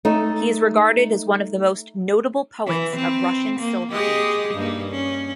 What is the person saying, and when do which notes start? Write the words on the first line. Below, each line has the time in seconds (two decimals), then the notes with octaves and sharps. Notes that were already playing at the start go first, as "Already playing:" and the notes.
He is regarded as one of the most notable poets of Russian Silver Age.
0.05 A3 D#4
2.67 E3
2.97 C4
3.60 A#3
3.92 G#3 G4 D#5
4.55 G2 A#3 D#4
4.90 C#4